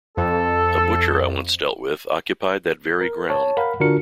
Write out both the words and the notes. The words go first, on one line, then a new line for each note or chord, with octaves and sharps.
A butcher I once dealt with occupied that very ground.
F2 A4
A#4
C#5 A5
A#4 F5 F#5 B5
D3 D4 F4 F#4 A#4 C#7